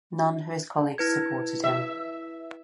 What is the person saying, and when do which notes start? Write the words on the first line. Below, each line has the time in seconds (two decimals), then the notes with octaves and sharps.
None of his colleagues supported him.
0.98 E4 B4 G#6
1.64 E5